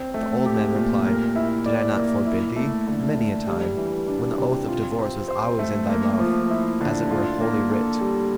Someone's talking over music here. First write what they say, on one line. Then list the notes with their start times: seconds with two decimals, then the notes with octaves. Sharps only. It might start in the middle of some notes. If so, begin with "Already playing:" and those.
The old man replied, "Did I not forbid thee, many a time, when the oath of divorce was always in thy mouth, as it were Holy Writ?"
Already playing: C4
0.14 A3
0.46 G4
0.75 A#2
1.06 A#4
1.36 E4
1.66 D5
1.97 A#3
2.26 E4
2.56 A3
2.87 D3
3.18 D3
3.47 G3
3.77 E3
4.08 D4
4.38 C3
4.69 F4
4.99 C4
5.28 C5
5.59 A3
5.89 A#3
6.19 F3
6.50 E4
6.81 D3
7.11 F4
7.41 A#3
7.71 A4
8.01 G3